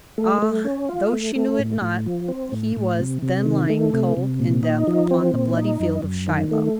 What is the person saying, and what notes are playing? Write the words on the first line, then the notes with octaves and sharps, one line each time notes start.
Ah, though she knew it not, he was then lying cold in death upon the bloody field of Shiloh.
A3
A3
C#4
F4
A3
A3
A2
A2
F3
C4
A2
A2
C3
C3
D#3
A3
C3
C3
A#2
D#4
F3
C4
A#2
D#4
F#2
F#2
D#3
A3